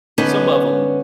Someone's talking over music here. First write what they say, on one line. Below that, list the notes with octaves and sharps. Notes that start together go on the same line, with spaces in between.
some of 'em
D3 B3 C#4 D#4 B4